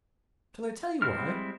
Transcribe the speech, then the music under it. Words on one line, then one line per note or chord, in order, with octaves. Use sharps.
Shall I tell you why?
G3 G#3 C4 E4 F6